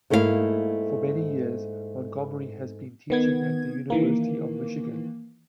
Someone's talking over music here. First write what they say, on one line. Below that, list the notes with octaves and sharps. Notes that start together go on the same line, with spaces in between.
For many years, Montgomery has been teaching at the University of Michigan.
G#2 A3 A#3 E4 B4 F5
D#3 B3 G#6
D#3 E3 A#3